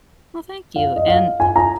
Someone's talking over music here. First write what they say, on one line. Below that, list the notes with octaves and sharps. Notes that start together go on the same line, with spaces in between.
Well, thank you. And
F5
D#5
F5
G#5
A#5